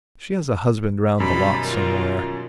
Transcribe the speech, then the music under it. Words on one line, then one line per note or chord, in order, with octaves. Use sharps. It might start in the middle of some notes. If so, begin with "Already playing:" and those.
She has a husband round the lot somewhere.
F#2 B2 D#3 G3 B5
F4 A#4